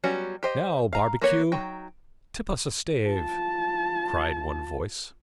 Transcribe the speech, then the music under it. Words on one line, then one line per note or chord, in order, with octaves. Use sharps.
"Now, Barbecue, tip us a stave," cried one voice.
F#3 G3 B3 C#4 F#4
G4 C5 D#5
F5 A#5
A#3 B3 F#4 B4 C#5
F#3 D#4 G5
F4 A5